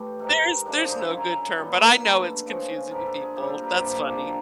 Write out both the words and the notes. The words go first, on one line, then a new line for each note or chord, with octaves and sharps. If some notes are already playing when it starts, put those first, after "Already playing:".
there's there's no good term, but I know it's confusing to people. That's funny.
Already playing: A2 E3 A3 G4
G#2 D#3 G#3
F#2 D3 F3 G#3 D4
D4
D#4
E4
F#2 C#3 F#3
A#2 G3 B3
A#4
D3 F#3 A3 B4
C#3 F3 G#3 C#4
D3 F3 G#3 B3 A#4
A4
G#4
A#2 G3 C4 G4
A4
A#4
B4 C5
G2 D3 F3 A#3
D#3